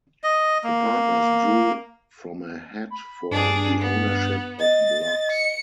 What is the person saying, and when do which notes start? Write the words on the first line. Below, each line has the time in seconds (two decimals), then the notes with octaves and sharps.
The partners drew from a hat for the ownership of blocks.
0.24 D#5
0.64 A#3
2.90 B5
3.31 G2 D4 G#4
3.79 B3
4.59 D#5 A6
5.32 C#7